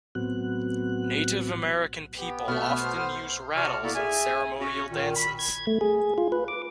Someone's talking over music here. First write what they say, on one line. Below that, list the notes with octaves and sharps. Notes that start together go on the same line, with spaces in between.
Native American people often use rattles in ceremonial dances.
A2 F#3 B3 C4 F#4 F#6
B3 G4
B2 A3 E5 F6
C5
C3 F#4 D5 A5 C#6 F6
A#3 B3 E4 F#4 A4 D5
G#4 E5 G#5
C#4 F#4
A#2 D#3
B5
G#6
A3
G#4
F4
B4
D6